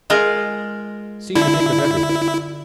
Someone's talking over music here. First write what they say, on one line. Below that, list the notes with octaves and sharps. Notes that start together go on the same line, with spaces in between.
Seemed to think of everything.
G#3 F4 A#4
D3 E4